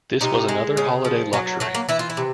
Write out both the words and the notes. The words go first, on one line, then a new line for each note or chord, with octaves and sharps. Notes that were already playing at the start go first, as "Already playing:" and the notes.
This was another holiday luxury.
C3 D#4
G#3
C#3
F3
F#3 C#4
F#3 A3
A#3
E3 E4
F4
E4
C3